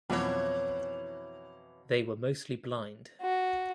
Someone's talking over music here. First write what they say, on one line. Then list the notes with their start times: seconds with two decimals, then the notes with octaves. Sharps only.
They were mostly blind.
0.10 F2 B2 E3 F#3 C#5
3.23 F#4